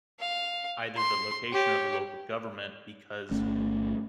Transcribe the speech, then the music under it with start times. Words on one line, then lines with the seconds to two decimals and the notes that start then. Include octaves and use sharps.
either the location or the local government, because,
0.20 F5
0.97 C6
1.52 G4 C#5
3.31 G1 A3 C#4